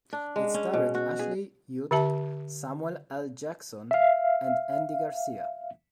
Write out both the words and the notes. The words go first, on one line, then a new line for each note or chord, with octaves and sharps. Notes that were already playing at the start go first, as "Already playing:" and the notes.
It starred Ashley Judd, Samuel L. Jackson and Andy Garcia.
D4
G#3
C#4
B2
F#4
G#4
D3 G4 E5 A5
E5 F5